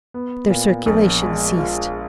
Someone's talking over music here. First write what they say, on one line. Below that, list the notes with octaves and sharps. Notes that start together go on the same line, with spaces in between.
There circulation ceased.
B3
A#2
A#1
G#3
F4